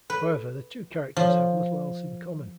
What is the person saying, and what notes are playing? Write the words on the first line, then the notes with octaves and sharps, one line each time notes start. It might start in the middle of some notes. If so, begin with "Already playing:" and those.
However, the two characters have little else in common.
B4
F3